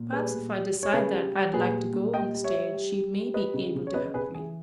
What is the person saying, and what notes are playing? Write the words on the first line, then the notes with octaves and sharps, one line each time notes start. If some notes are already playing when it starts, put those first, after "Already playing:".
Perhaps if I decide that I'd like to go on the stage, she may be able to help me.
Already playing: A#2
G3 G#4 B4
A#2
G3
G3
C#5
C#3 G#4 B4
G3
G3
A#2 G#4 B4
G3
A#2
G3 D#5 G5
G3
C#5 E5
G3
G3
G3
G3
G3 B4 D#5
C#3
C#3
C#5
C#3 B4 D#5
C#3 G#4 B4
E3 G#4